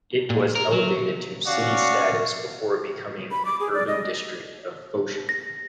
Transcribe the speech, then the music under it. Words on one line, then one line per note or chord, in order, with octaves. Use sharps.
It was elevated to city status before becoming an urban district of Foshan.
A#2
A#4
F#3
C#4 F#4 D5 F5
B5
D6
G#4
D5
D#5
A#6